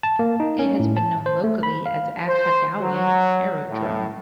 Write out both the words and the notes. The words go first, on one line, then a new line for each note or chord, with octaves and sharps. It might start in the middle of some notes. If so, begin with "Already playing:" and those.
It has been known locally as Aghadowey Aerodrome.
A5
A#3
D#4
C#4
A2
A5
C5
A3
B5
F5
C5
F#3
A2